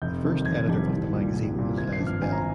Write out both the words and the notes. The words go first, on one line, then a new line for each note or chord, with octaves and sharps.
The first editor of the magazine was Les Bell.
F1 G6
F2 D#3 G3
F1 G#6
F2 D#3 G3
C2
A#2 G3
C2
A#2 G3
G#1 G#6
C7
G2 F3
F6
G#1 G#5
A#5